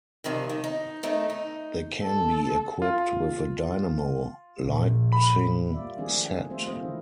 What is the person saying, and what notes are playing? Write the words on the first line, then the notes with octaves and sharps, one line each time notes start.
They can be equipped with a dynamo lighting set.
G2 C3 D#3 F3
D#3
D#4
D#3 A3 D#4
D#4
A4
F4
A#1
B5
G3 A#3 F4 D5 E5
D#3 F3 A3 C4 D4 G#4
G3 A3 C4 F4 C5 E5
D#3 A#3 C4 F4 D#5
D3 E3 A3 C4 D#4 E4